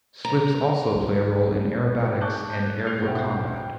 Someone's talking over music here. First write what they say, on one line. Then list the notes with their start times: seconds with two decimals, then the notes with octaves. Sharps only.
Slips also play a role in aerobatics and aerial combat.
0.25 A#5
0.95 C2 F#3 G#3
2.21 G#5 A5 C#6 D6 F#6 G6
2.51 A5 G6
2.87 A4 G6 C7 F7
3.02 B1 A2 E4 F#4 C5 G5
3.52 G5